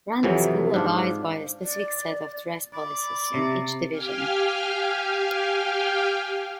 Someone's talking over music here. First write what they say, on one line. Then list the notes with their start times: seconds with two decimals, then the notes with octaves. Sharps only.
Ranney School abides by a specific set of dress policies in each division.
0.23 F2 C3 E3 F#3
0.74 G#2 D4 F4
1.64 D5
2.74 D5 B5
3.34 C3
3.91 G4 F5 G5 G#5 F6